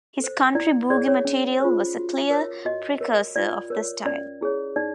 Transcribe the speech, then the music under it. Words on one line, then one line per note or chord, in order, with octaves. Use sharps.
His country boogie material was a clear precursor of the style.
A4 C5
E4 D5
G#4 C#5 D5
C#5
C#4
F4 G#4 C5
F#4
A#4 C#5
F#4 D#5
A#4 C#5
F4 D5
A#4 C#5
C#4 D5
E4 G#4 C#5
D#4 D5